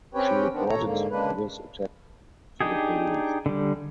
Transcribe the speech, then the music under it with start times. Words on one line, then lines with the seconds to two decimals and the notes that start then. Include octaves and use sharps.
She reported this attack to the police.
0.14 C4 C#4 G4 B4 C#5 G5
0.52 D#3 B3 C4 D4
0.69 D#2 A4 C#5 A#5
0.84 G#2 D3 A#3
1.10 C#3 G#3 A#3 D4 B4
2.61 D4 D#4 G4 G#4
3.46 D3 G3